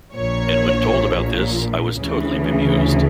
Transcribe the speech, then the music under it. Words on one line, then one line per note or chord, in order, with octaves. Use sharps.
And when told about this I was totally bemused.
A#1 A#2 C#5
D2 C#3 E3